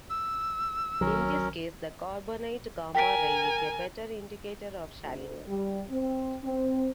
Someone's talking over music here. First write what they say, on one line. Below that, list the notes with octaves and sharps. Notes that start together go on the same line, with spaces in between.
In this case, The carbonate gamma ray is a better indicator of shaliness.
E6
B1 D#3 F#3 C#4 A#4
A#4 G5 G#5 B6 D7
D2
G3
C4
C4